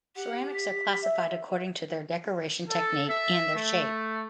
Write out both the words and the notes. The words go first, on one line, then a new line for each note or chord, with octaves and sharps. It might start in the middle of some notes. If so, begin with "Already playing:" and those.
Ceramics are classified according to their decoration technique and their shape.
G4 F#5
B6
E5
A4
E5
A3